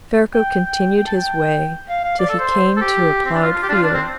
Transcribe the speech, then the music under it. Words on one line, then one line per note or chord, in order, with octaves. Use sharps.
Ferko continued his way till he came to a ploughed field.
G5
G5
G5
A5
G5
F5
F5
D5
A4
C5
A4
G4
C4
D4
F4
F4
G4
D4
F4
D4
C4